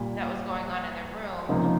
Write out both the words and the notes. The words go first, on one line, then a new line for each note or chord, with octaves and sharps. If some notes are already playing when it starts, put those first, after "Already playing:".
that was going on in the room,
Already playing: A#2 G3 A#3
C#2 C3 F3 A#3 D#4